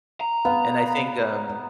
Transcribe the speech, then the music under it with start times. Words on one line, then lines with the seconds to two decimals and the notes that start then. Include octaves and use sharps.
And I think, um
0.21 A#5
0.45 B3 F5